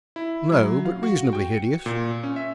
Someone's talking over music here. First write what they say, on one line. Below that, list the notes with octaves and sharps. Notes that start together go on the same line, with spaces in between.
"No, but reasonably hideous."
E4
F#3
F5
F#4
G5
C#7
A#2
C#4
E5